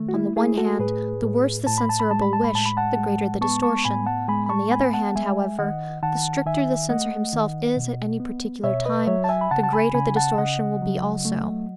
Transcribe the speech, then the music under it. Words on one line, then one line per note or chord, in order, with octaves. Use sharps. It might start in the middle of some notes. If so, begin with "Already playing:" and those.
On the one hand, the worse the censorable wish, the greater the distortion; on the other hand, however, the stricter the censor himself is at any particular time the greater the distortion will be also.
Already playing: D#3 A3
F#4
E4
A3 E4 G#4
F#4 A4
A2 G#4 B4
A2
A2 A5
B5
A5
B5
G#3 A5
B5
A5
B5
A2 A5
B5
F#5 A5
G#3
B3 A5 C#6
A5 C#6
A2 G#5 B5
F#5 A5
G#3 G#5 B5
B5
A5 C#6
B3 G#5 B5
F#5 A5
G#3 E5 G#5
D#3 D#5 F#5
D#3 F#5 A5
D#3 E5 G#5
A3 D#5 F#5
D#3
B2
B3
B2 C#5 E5
B4 D#5
F#3 C#5 E5
A5
E5 G#5
B5
C#3 F#5 A5
A5
G#5 B5
C#3 G#5 B5
F#5 A5
C#3 D#5 F#5
F#3
A3